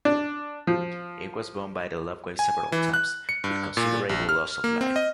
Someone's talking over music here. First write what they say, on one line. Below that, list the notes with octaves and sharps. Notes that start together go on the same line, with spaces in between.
It was bombed by the Luftwaffe several times, with considerable loss of life.
D4
F3
G#5
E3
F#6
C#7
G2
A#2
A#1
F6
A#3
C4
D#5